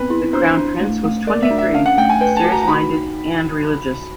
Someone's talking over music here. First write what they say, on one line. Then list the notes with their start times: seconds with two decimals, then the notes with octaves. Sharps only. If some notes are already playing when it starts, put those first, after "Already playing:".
The crown prince was twenty-three, serious-minded, and religious.
Already playing: B3 C4 B4
0.10 E4
0.33 D4 C5
0.57 D4
0.81 A3
1.04 A3
1.27 A#4 D5
1.43 E5
1.51 D4
1.58 E5
1.74 C#4 F5
1.86 F#5
1.98 A3 G5
2.10 G#5
2.21 B4 G5
2.37 A5
2.44 F#4
2.52 A#5
2.63 A#5
2.68 D#4 B5